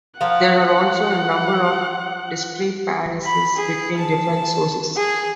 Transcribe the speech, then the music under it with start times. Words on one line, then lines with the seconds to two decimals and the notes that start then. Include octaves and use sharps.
There are also a number of discrepancies between different sources.
0.21 F3 A#4 F5 F#5
3.24 B5
3.56 G#4
3.98 A5
4.97 G#4